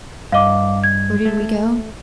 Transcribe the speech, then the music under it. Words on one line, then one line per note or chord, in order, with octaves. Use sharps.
Where did we go?
G2 D#5 F5 D6
G#6
A3